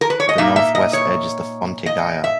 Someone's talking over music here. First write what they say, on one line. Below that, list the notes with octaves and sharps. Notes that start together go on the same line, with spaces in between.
At the northwest edge is the Fonte Gaia.
A#4
B4
C#5
D#5
A#2 A#3 D#4 E5
E5
D#5
C#5
D#5
E5